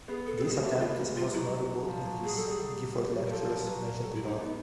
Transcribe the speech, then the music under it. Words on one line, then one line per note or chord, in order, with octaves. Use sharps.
This attempt is most notable in his Gifford Lectures, mentioned above.
B3 G#4
A4
A4
G3 G#4
G#3 F#4
A3 G4
A#3
B3 F4
A#3 F4
F#4
G#3
G3 F4
F#3 E4
F3
F#3
F#3 G#4
G3 A4
G3 G#4
G3
G3
F#3
A#4
F3 A4
B4
A#4
F#3 B4
A#4
G3 A4
E4
D#4
B3 D#4